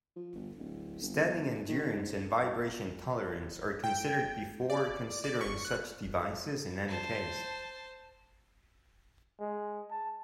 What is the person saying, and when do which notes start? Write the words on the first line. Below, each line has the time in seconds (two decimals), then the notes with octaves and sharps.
Standing endurance and vibration tolerance are considered before considering such devices in any case.
0.16 F3
0.35 G1
0.58 D1
1.02 G1
1.68 D#3
1.93 G#2
3.84 G5
4.70 D5
5.24 D5
5.41 C#6
5.65 F#6
6.88 C5 A5
9.40 G#3
9.91 A5